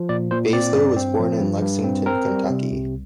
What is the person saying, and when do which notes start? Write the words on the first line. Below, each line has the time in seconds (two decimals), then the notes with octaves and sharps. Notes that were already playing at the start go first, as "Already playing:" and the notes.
Baesler was born in Lexington, Kentucky.
Already playing: F3
0.09 A#2 D5
0.31 A#2 C5
0.53 C4 D5
0.75 G2
0.96 C4
1.19 F3
1.40 G2
1.62 G2
1.84 C4
2.06 C4 A#4
2.27 G3
2.50 C3
2.72 C2